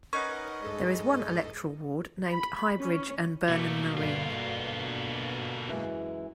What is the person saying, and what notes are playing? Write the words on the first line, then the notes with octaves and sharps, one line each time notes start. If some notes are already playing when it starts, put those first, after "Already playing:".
There is one electoral ward named 'Highbridge and Burnham Marine'.
C#4 D#4 A#4 B4 D#5 F#5 C#6
G2 G#3 A4 D#5
B5
C#4
B2 G3 A3 A#3
G2 D3 B3 F4
F#2 E3 G#3